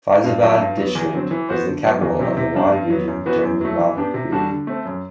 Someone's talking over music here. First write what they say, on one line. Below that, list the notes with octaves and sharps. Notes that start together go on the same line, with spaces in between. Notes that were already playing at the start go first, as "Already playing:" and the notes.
Faizabad District was the capital of Awadh region during Nawab Period.
G2
F#3 A3 E4 A4
G2
F#3 B3
E2
D3 F#3 C4
E3
B3 F#4 C5
D3
F#3 B3
E2
C3 F#3 C4 G4
C3
G3 D4 G4
G2
F#3 B3
F#2
E3 B3 F#4 B4
F#2
F#3 A3
E3
B3 D4 G4
C3
G3 D4 F#4 A4
D3
A3 C4
F#2